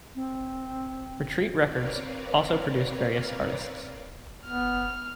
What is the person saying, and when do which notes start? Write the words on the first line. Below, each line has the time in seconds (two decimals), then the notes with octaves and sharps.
Retreat Records also produced various artists.
0.15 C4
1.56 C4 A#4 B4 C#5 D5 F5
4.46 B3 F6